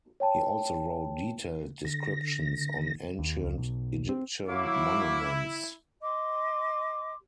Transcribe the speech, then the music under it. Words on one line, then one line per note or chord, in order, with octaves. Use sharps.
He also wrote detailed descriptions on ancient Egyptian monuments.
C#5 G5 A5
D3 A#6
D#2
C#2
B1
C4
F#3 E4 F5 D6
D#5 C6 D6